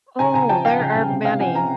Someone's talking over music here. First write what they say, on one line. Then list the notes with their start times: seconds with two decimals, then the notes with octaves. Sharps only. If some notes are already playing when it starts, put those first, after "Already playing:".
Oh, there are many.
0.19 C#3 G#5 A#5
0.34 C#3 G#5 A#5
0.49 F3 G5 A5
0.65 F3 F5 G5
0.80 C#3
0.95 C#3
1.10 C3
1.25 C3 F5 G5
1.39 F3 F#5 G#5
1.55 F3 G#5 A#5